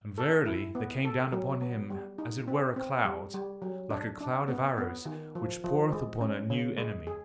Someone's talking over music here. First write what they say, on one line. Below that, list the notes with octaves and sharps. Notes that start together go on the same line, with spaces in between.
And verily, there came down upon him as it were a cloud, like a cloud of arrows which poureth upon a new enemy.
A4
E4
B3
A4
F#3
B3
G3
D#4
C4
C4
G3
G3
F#3
D4
D4
B3
B3
D#3
F3
F3
G#3
C#4
C#3
G#3
G#4